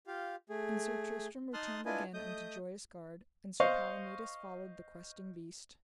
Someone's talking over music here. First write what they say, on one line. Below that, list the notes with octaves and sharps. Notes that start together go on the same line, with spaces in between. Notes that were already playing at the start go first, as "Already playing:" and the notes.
And Sir Tristram returned again unto Joyous Gard, and Sir Palomides followed the Questing Beast.
F4 G4 F5
A3 G#4
D#4 A5 C6 D#6 F6 F#6
D4 E4 F4 B4 D#5 G#5
A3 D#5 D#6 G6
C5 D#5 F5 C#6